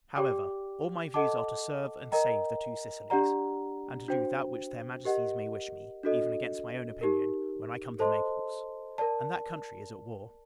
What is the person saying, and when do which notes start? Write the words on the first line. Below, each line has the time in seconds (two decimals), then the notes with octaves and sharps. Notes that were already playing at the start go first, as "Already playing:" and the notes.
However, all my views are to serve and save the Two Sicilies; and to do that which their Majesties may wish me, even against my own opinion, when I come to Naples, and that country is at war.
0.15 G4 D5 G5 D6
1.14 A4 D#5 F#5 A5 D6
2.12 A#4 D#5 G5 A#5
3.10 D4 G4 D5 F#5 A#5
4.08 D4 F#4 C5 G5
5.05 G4 A#4 D#5 F#5
6.03 D4 F#4 A4 D#5
7.01 D#4 G4 A#4
7.99 A4 C5 D#5 A5 C6
8.98 A#4 D5 A5